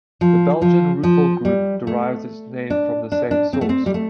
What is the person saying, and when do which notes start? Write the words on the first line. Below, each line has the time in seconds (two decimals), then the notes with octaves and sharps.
The Belgian Rupel Group derives its name from the same source.
0.21 F3
0.62 F3
1.03 F3
1.45 G3
1.87 A3
2.70 D4
3.12 D4
3.31 D4
3.53 C4
3.61 A3
3.69 C4
3.86 G3
3.94 A3